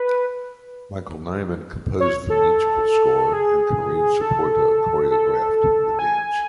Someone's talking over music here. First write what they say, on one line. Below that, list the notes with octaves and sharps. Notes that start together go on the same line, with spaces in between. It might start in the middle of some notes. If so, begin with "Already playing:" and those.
Michael Nyman composed the musical score and Karine Saporta choreographed the dance.
Already playing: B4
C#5
A4
G#4
A4
A4
G#5